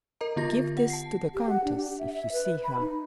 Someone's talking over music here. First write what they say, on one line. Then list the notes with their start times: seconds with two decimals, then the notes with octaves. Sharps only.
"Give this to the countess... if you see her."
0.21 A#4 D#5 A#5
0.36 D3 B3 F4 G4 A#6
0.78 F#5
0.90 A5 C7
1.35 G4
1.49 F#5
1.64 D4
1.77 G4
1.99 E5
2.15 E5
2.32 B4
2.63 B5
2.80 D#4